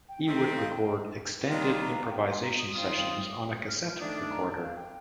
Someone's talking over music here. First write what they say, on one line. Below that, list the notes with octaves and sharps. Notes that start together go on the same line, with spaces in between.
He would record extended improvisation sessions on a cassette recorder.
G5
D#3 A3 C4 G5
F5
G5
D#3 G3 A#3 D4 F4 C6
A#5
F5
G5
C6
A#5
D#6
D#3 G3 C4 F4 D#6
F6
D#3 A3 D4 D#6
A#5
A5
F5
G5